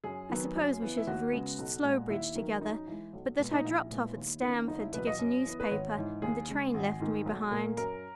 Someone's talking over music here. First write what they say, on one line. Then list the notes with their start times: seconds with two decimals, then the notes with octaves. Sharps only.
"I suppose we should have reached Slowbridge together, but that I dropped off at Stamford to get a newspaper, and the train left me behind."
0.04 F#2 G#4
0.30 D#3 F#3 B3
0.56 F#2
0.82 E3 B3
0.97 E4
1.07 D#2 F#4
1.32 C#3 G#3 B3
1.58 B1
1.84 A#2 G#3
2.10 D#2 E4
2.35 D#3 F#3 A#3
2.61 F#2 D#4
2.87 E3 G#3
3.13 B1
3.39 A#2 G#3 B3
3.51 D#4
3.65 A#1 E4
3.90 A#2 G#3 B3
4.17 D#2
4.42 D#3 A#3 C#4
4.68 F#1 D#4
4.80 E4
4.94 E2 B2 F#3 B4
5.07 D#5
5.19 F#2
5.45 E3 B3
5.60 B4
5.71 G#1 C#5
5.97 G#2 E3
6.22 D#2 G#4
6.48 C#3 G#3
6.74 G#1
7.00 G#2 D#3
7.26 B1
7.51 A#2 A#3
7.77 F#2 A#4